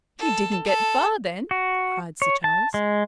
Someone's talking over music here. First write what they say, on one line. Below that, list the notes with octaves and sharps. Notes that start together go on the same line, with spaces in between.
"He didn't get far, then!" cried Sir Charles.
A4
A4
F#4
C#5
A5
G#3